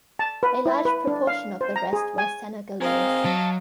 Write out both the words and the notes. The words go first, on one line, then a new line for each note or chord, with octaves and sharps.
A large proportion of the rest were Senegalese.
A5
B4
E4
B4
D4
F5
C5
A#5
G#4
G#5
C4 G#4 A#4 D#5 F5
F#3 A5